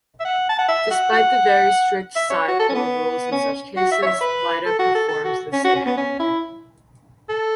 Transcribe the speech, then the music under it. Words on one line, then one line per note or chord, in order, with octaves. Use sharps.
Despite the very strict Psi Corps rules in such cases, Lyta performed the scan.
E5
F#5
A5
F#5
E5
F#5
F#5
E5
C#5
F#4
A4
C#4
B3
C#4
F#4
E5
C#5
E5
B4
A4
F#4
A4
A4
F#4
C#4
F#4
C#4
B3
C#4
E4
A4